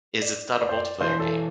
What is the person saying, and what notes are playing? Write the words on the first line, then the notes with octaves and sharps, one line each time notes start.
is it's not a multiplayer game,
D5
D5
C5
D5
E1 E2 E3 C5
A4